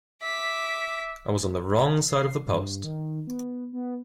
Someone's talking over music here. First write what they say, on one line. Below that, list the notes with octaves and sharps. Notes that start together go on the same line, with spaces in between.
I was on the wrong side of the post.
E5 D6 B6
C7
G2
D#3
B3
B3